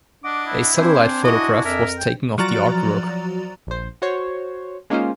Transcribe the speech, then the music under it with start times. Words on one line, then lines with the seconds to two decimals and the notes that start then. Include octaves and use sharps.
A satellite photograph was taken of the artwork.
0.24 D4 D#5 F#5 D6
0.47 E4
0.76 C4 D4 C5 G#5
1.24 E4 F#4 D#5
1.65 F2 A#4 E5
1.98 G5
2.38 F3 F#3 F#4 D5 A#5 A6
3.67 A#1 C5
4.02 F#4 C5 C#5
4.90 G#3 A#3 C#4 D#4 F4 C5